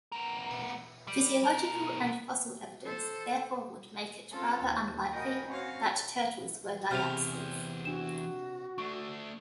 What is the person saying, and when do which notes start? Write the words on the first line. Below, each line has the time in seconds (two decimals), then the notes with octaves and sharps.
Physiological and fossil evidence therefore would make it rather unlikely that turtles were diapsids.
0.12 B3 A#4
1.07 G3
1.44 B2 A#4
2.85 A4 C5
4.32 C4 C#4 F4 A4
4.64 D#2
5.13 F#4 A#4 D#5 G5 G#5 B5
5.47 C4 C#4 F#4 C#5 F5
6.91 E2 C3 G#4 C5 F6 F7
7.85 D4 F#4 E7
8.78 A3 D4 C#6